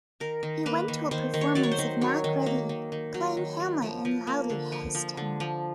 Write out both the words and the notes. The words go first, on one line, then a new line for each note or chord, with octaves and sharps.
He went to a performance of Macready playing Hamlet and loudly hissed him.
D#3 A#4
D#3
A#3 B4
D#3
D#3 C5
D#3
C#5
F#3 D5
C#5
C5
D#3
F#3 C#5
D#3
A#3
D#3
D#3
F#3
D#3
F#3
F3
F3
A#3
D3
F3
F3
D3
F3